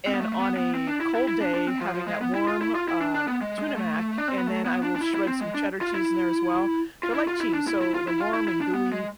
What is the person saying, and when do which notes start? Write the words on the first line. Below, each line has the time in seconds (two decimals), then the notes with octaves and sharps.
and on a cold day, having that warm, uh, Tuna Mac, and then I will shred some Cheddar cheese in there as well. So, I like cheese, so the warm and gooey,
0.07 C4
0.14 B3
0.21 A3
0.32 A3
0.39 B3
0.57 B3
0.75 C4
0.87 D4
1.00 E4
1.15 E4
1.28 E4
1.41 D4
1.54 D4
1.68 C4
1.81 F3
1.94 F3
2.07 G#3
2.21 B3
2.34 E4
2.48 F4
2.61 E4
2.75 F4
2.88 E4
3.01 D4
3.14 D4
3.27 B3
3.41 G#3
3.59 G#3
3.76 A3
4.18 D4
4.28 C4
4.38 B3
4.47 A3
4.65 B3
4.83 D4
4.95 D4
5.01 E4
5.15 E4
5.28 C4
5.41 G#3
5.54 D4
5.81 F4
5.94 E4
7.03 F4
7.14 E4
7.28 F4
7.41 E4
7.54 D4
7.68 E4
7.81 E4
7.94 F4
8.08 E4
8.20 F4
8.34 E4
8.48 E4
8.61 D4
8.74 B3
8.93 G#3